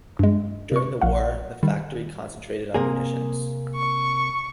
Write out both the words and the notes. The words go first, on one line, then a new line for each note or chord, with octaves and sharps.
During the war, the factory concentrated on munitions.
G2 G#3
C3 C#6
A#1 F5 F#5
D#3 G3
C3 A#3 G#4
C#6